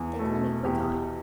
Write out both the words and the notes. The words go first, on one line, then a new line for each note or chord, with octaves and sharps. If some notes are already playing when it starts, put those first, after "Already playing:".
They call me Quickeye.'
Already playing: E2
B2 A3
E2 G4